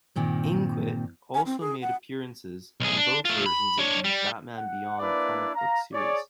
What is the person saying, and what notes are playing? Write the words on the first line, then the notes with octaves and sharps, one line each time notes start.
Inque also made appearances in both versions of the "Batman Beyond" comic book series.
G2 A#2 D#3 C4
G#5
C4
G#4
F#5
B1 G#4
D4
A3 F4
B5
D4 C#5
G3
F#5
A#3 D4 E4 B4 D5
F5 A#5
G#4 C#5 D5